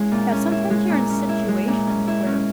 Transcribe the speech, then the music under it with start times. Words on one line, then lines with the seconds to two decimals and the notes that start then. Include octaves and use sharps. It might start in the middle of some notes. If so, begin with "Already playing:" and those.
Now sometimes you're in situations where
Already playing: G#3 C#4 E4
0.12 A#2
0.31 C#4
0.52 E4
0.70 G#3
0.90 A#2
1.10 C#4
1.29 E4
1.48 G#3
1.68 A#2
1.87 C#4
2.08 E4
2.26 C#4